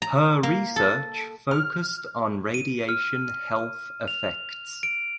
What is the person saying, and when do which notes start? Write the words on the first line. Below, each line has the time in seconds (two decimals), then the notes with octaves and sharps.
Her research focused on radiation health effects.
0.02 A#5
0.43 A#3
0.76 A4
1.51 F6
2.54 D#7
2.89 F6
4.08 F7
4.83 D7